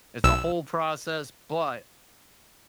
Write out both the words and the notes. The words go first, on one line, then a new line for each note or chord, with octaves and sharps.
It's a whole process. But,
B1 E6